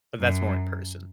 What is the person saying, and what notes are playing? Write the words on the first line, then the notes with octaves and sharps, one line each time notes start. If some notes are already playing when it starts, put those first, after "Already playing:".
but that's more in person.
F#2